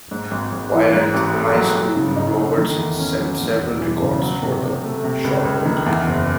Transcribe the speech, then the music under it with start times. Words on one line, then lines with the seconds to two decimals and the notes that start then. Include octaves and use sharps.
While at high school, Roberts set several records for the shot put.
0.11 G#2
0.31 G#1
0.52 G#1
0.72 E3
0.93 G#2
1.14 A1
1.34 A3
1.54 F#3
1.75 F#3
1.96 C#3
2.16 D#4
2.36 A3
2.57 D#3
2.78 E2
2.99 C#4
3.20 F#3
3.40 E2
3.61 E1
3.81 E3
4.02 C#3
4.22 F#3
4.42 C3
4.63 C3
4.84 A3
5.04 C3
5.24 C#2
5.45 C#2
5.65 D#3
5.86 E2
6.07 F#1